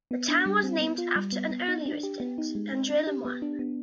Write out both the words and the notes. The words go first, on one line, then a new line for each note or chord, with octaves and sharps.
The town was named after an early resident, Andre LeMoyne.
B3
D4
G3
C4
B3
F4
G3
B3
B3
D#4
D4
G4
B3
D#4
G#3
C4
D4
G4
B3
D4
B3